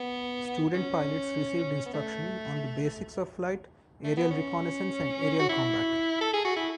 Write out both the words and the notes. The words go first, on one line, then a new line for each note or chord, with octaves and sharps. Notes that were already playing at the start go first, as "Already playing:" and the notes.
Student pilots received instruction on the basics of flight, aerial reconnaissance and aerial combat.
Already playing: B3
C#4
B3
A3
A3
B3
C#4
F#4
E4
A4
G#4
F#4
E4